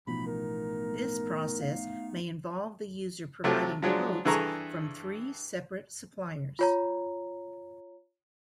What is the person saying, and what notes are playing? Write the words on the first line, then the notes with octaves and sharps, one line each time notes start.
This process may involve the user providing quotes from three separate suppliers.
A1 B2 F3 A3 B3 D#4 B5
A#4
F5
C3 F3 F#3 A3 G4
F3 F#3 G#3 D4
G2 E3 G#4 A4 A#5 C#6
F4 C#5 A#5